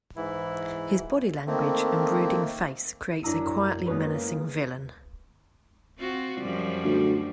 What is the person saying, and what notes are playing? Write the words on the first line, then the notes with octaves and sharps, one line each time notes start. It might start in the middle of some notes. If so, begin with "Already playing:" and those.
His body language and brooding face creates a quietly menacing villain.
G#2 E3 E4
D#3 A3 A#3 C4
F#2 D4 E4 A#5 E6 D#7
G#3 A#3 B3 C#4 B4
F4
C4 F4 F#4
F#2 F3 G3
D2